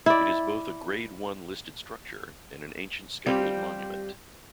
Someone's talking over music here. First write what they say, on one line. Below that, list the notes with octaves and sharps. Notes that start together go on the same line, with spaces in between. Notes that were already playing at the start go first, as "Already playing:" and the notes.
It is both a Grade One listed structure and an ancient scheduled monument.
E4 D5
G3 C4 F4 G4